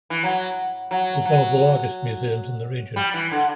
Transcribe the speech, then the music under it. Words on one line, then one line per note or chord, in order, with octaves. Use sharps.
It is one of the largest museums in the region.
E3
F#3
F#3
F#3
G3
E3
D3